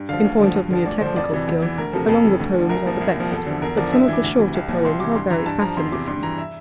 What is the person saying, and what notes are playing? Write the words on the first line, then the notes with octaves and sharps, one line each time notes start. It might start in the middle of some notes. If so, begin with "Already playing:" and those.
In point of mere technical skill, her longer poems are the best; but some of the shorter poems are very fascinating.
Already playing: G2
D3 F3 F5
D2
D3 F3
G2
D3 F3
D2 D5
D3 F3 C5
F2 D5
C3 E3
E2
E3
D2 A#4
C3 F3 A4
F2
C3 E3
D2
D3 F3
C2 A#4
A#2 F3
C2
A#2 F3
E2 A4
D3 F3 A4
E2 A#4
D3 F3 D5
G2 E5
E5
E3 D6
D2
C3 E3
C2
A#2 F3
C2 C6
C3 E3 D6
G2 C6
E3 A#5
G2 A5
F3 A#5
E2 C6
C3 E3 D6
G2 C6
E3 A#5
E5